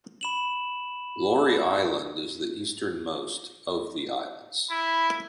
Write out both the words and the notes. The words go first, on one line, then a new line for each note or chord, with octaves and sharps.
Laurie Island is the easternmost of the islands.
B5 E7 F#7
E4 B5